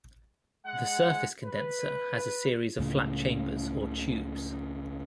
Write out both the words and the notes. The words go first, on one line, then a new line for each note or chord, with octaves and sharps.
The surface-condenser has a series of flat chambers or tubes.
G#3 F#5
B4
C#2 A2 C#3